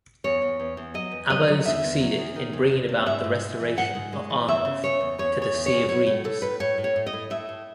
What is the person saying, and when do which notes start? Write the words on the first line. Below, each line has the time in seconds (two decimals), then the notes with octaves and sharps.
Abbo succeeded in bringing about the restoration of Arnulf to the see of Reims.
0.24 E2 C#5
0.42 E2
0.60 E2
0.77 E2
0.94 F#3 D#5
1.11 E2
1.29 F#3 D#5
1.48 F#3
1.65 E2 E5
1.83 E2
2.01 F#3
2.18 E2
2.36 D#3
2.53 E2
2.71 E2
2.89 E2
3.06 G#2 E5
3.24 G#2
3.42 G#2
3.60 E3
3.78 G#2 F#5
3.95 G#2
4.13 G#3
4.30 E3
4.48 E2 E5
4.65 C#3
4.83 C#3 C#5
5.01 E2
5.18 E2 C#5
5.36 E2
5.42 C#5
5.53 E2
5.66 C#5
5.72 E2
5.89 F#3 C#5
6.06 A2 C#5
6.24 A2 A4
6.42 A2 B4
6.60 A2 C#5
6.78 A2
6.84 C#5
6.96 A2
7.06 D#5
7.13 A2
7.30 A2 E5
7.49 A2